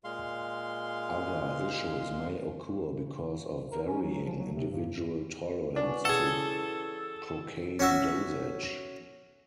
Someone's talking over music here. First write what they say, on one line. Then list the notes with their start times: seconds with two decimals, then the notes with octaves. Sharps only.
Other issues may occur because of varying individual tolerance to procaine dosage.
0.04 A#2 G#3 F5 C6
3.72 A#4
3.87 C#4
4.02 F#3
4.25 F3
4.39 F#3
4.53 C3
4.70 G2
5.76 E3 C#4 D4 F#4
6.05 G#4 A4 F#5
7.79 C#4 F#4 E5